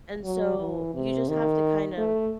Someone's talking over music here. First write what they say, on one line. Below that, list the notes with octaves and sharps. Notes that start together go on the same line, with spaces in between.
And so, you just have to, kind of,
F#3
E3
C3
D#3
A3